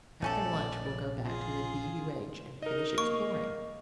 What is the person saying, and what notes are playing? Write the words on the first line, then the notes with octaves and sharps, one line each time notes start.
After lunch we'll go back to the B. U. H. and finish exploring.
A#1 C#3 A3 C#4 A4 D5
F4 G#4
D#4 A#4 D#5
A#3 C#6